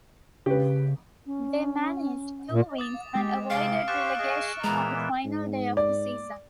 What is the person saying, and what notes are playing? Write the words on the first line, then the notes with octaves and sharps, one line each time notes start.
They managed two wins and avoided relegation on the final day of the season.
C#3 G4 B4
C#4
A#2
D6 D#6 A6
G#3 G4
C3 G#3 F5 F6 D7
G4 C5 C#6 F#6 A6 E7
G#4 D#5
A#2 E3 G#3 B3 A#5
G#2
D5